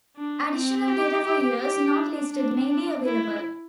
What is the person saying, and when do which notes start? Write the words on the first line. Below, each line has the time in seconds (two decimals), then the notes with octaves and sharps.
Additional data for years not listed may be available.
0.16 D4
0.52 C4
0.88 G4
1.25 G4
1.61 G4
1.96 D4
2.33 D4
2.69 D4
3.05 E4